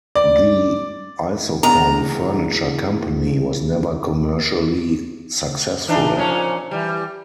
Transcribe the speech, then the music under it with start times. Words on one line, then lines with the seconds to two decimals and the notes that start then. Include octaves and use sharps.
The Isokon Furniture Company was never commercially successful.
0.15 D5
1.63 E2 A#5
5.88 E3 D4 D#4
6.16 A#2 F3 C#4
6.71 E3 G3